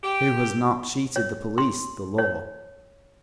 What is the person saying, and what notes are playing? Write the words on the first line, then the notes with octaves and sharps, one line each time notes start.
Who has not cheated the police, the law?
G4
C#5
C6
C#5